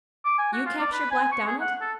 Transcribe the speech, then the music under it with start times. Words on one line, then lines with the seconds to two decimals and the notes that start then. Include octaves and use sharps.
You capture Black Donald!
0.25 D6
0.38 G#5
0.53 F#4
0.66 F4
0.80 D5
0.92 B4
1.11 G#5
1.32 C#6
1.47 G#4
1.61 F#5
1.81 A4